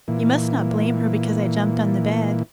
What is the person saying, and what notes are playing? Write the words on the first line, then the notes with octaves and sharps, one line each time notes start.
You must not blame her because I jumped on the bed.
A#2 E3